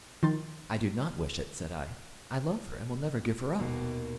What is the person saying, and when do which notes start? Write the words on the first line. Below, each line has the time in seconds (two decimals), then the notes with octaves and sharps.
"I do not wish it," said I. "I love her, and will never give her up."
0.23 D#3 F3 D#4 C6 A6
3.58 D#1 D#2 B2